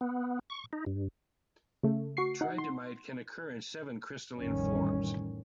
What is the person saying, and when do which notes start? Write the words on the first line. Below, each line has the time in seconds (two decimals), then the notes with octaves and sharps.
Tridymite can occur in seven crystalline forms.
0.01 B3
0.50 C#6
0.73 D#4
0.86 G2
1.83 C#3 A3
2.17 F#4 C#6 C7
2.41 D#4 F#5
2.58 C6
4.38 A1 F2 D#3 G3 C#4